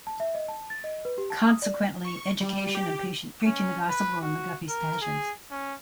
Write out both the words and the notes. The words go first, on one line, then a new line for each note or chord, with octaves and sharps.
Consequently, education and preaching the Gospel were McGuffey's passions.
A5
E5
D#5
A5
A6
D#5
B4
G4
A5
D#6
D5
C#6
G3
G4
C#4
B4
F#4
A#4
G#4
C#4